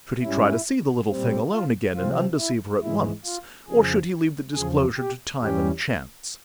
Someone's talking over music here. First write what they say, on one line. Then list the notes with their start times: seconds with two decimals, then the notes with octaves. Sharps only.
Should he try to see the little thing alone again and undeceive her at once, or should he leave the disclosure to time and chance?
0.22 G#2 G3 C#4 E4
1.09 A#2 G3 C4
1.52 F4
1.95 C3 F3 C4 F4
2.38 E4
2.82 G#2 E3 G#3 E4
3.25 F4
3.68 F2 C#3 F3 G#4
4.54 E2 C#3 F3 G#4
4.97 G4
5.40 E2 E3 G3 C#4 G4